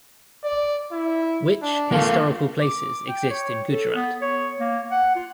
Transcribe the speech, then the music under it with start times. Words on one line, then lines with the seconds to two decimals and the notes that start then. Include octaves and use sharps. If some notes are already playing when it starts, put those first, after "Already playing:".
Which historical places exist in Gujarat?
0.44 D5
0.92 E4
1.62 D4
1.92 A#3 F4 A4
2.61 D6
3.08 G5
3.30 C#5
3.70 A4
3.95 B3
4.22 C#5
4.60 A#3
4.91 F#5
5.16 F4